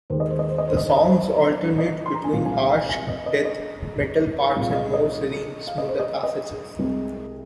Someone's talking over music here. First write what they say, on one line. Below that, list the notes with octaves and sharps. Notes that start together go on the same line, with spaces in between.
The songs alternate between harsh death metal parts and more serene, smoother passages.
D#2 D#3 G#3 C5
D#5
C5
D#5
C5
D#5
C5
D#5
C5
D#5
C5
D#5
C6
A#5
G#5
C2 A#2 F3 G#3 F5
G#5
F5
G#5
G#5
D#5
D#5
D#5
C2 A#2 G#3 F5
F5
D#5
D#5
F5
D#5
C5
D#5
D#5
C2 C3 G#3